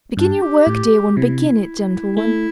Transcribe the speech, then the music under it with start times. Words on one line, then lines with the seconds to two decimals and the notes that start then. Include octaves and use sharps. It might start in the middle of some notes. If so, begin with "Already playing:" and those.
Begin your work, dear one, begin it, gentle one!...
0.17 G2 D4
0.42 G4
0.67 A2
1.17 C3 E4
2.16 A3 E4